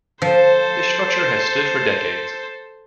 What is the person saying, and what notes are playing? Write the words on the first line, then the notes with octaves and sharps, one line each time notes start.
This structure has stood for decades.
F3 A4 C5